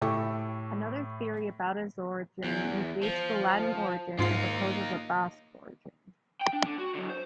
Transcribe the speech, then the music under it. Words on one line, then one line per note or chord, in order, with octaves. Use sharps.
Another theory about is origin negates the Latin origin and proposes a Basque origin.
A2 E4 G4 A4 C#6 D6
E2
F3
G#2 A#3 D#4 F4 C7
G5
D4
D3
F#4
D3 F#3
C5